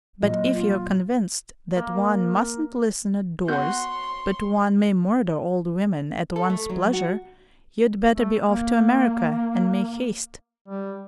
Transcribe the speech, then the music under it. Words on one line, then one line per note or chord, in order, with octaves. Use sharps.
But if you are convinced that one mustn't listen at doors, but one may murder old women at one's pleasure, you'd better be off to America and make haste.
A#2 F#3 D#5
F4
A#3
B3 F#4 C#5 F#5 C6 G6
A4
A3
F#3
F#4
A3
A#3
G3